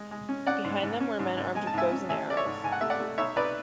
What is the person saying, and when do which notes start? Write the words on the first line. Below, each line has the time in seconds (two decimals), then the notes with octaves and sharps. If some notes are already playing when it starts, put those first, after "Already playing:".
Behind them were men armed with bows and arrows.
Already playing: G#3
0.11 G#3
0.29 C#4
0.47 C#4 D5 F#5
0.65 G#2
0.83 G#2
1.00 C#4
1.19 G#2
1.37 G#2
1.55 G#3 G#5
1.67 A5
1.74 G#2 E5 G#5
1.92 C#4
2.09 A1 E5 G#5
2.28 A3 D5
2.37 C#5 E5
2.46 G#2
2.64 G#2 G#5
2.72 F#5
2.81 A3 E5
2.90 D5 F#5
3.00 A3
3.18 B1 C#5 E5
3.36 B1 B4 D5